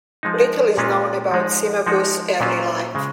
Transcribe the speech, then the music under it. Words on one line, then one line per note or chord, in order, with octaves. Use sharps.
Little is known about Cimabue's early life.
F3 G#3 D#4
A#2 G#3 C#4 F4
F3 G#3 D#4
F3 G#3 D#4 F#4
A#2 F#3 C#4 F4
C#3 G#3